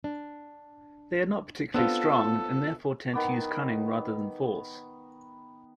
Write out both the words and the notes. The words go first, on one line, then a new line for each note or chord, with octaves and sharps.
They are not particularly strong, and therefore tend to use cunning rather than force.
D4
B3 C4 D4 F4 A4 E6
D#3 B3 D6